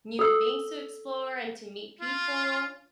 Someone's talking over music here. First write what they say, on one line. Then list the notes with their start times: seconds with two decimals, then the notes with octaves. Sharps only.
new things to explore, and to meet people,
0.19 A4 E6
2.01 F4